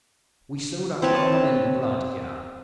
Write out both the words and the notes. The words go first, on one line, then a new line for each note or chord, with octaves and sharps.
We sowed our corn in blood here.
C4 B4 C#5 A5